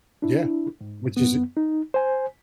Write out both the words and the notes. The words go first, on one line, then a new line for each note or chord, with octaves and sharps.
Yeah. W which is it
D4 E4
G#2
F#2 B3
D#4
C5 G#5